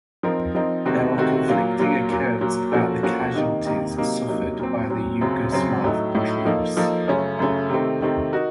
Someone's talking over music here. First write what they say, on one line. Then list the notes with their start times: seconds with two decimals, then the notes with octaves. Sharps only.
There are conflicting accounts about the casualties suffered by the Yugoslav troops.
0.23 F3 C4 D#4 A#4
0.55 F3 C4 D#4 A#4
0.85 C3 D#3 A3 C4 F#4
1.17 C3 D#3 A3 C4 F#4
1.48 A#2 F#3 A#3 F4
1.79 A#2 F#3 A#3 F4
2.10 A#2 F#3 A#3
2.41 A#2 F#3 A#3
2.72 F3 A#3 C#4 F#4 A4
3.03 F3 A#3 C#4 F#4 A4
3.34 C3 D#3 A#3 D#4
3.65 C3 D#3 A#3 D#4
3.97 C3 F#3 A#3 D#4
4.27 C3 F#3 A#3 D#4
4.59 A#2 F#3 C4
4.90 A#2 F#3 C4
5.21 F#2 C#3 F#3 C4
5.52 F#2 C#3 F#3 C4
5.84 A2 F#3 A3 D#4
6.15 A2 F#3 A3 D#4
6.45 F3 A#3 D#4 A4
6.77 F3 A#3 D#4 A4
7.08 F#2 C#3 A3 C#4
7.39 F#2 C#3 A3 C#4
7.70 C3 D#3 A3 C4
8.01 C3 D#3 A3 C4
8.33 D#4 F#4 A#4